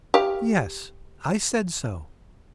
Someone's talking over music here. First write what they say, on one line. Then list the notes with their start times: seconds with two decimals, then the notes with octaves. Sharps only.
'Yes, I said so.
0.14 G4 F5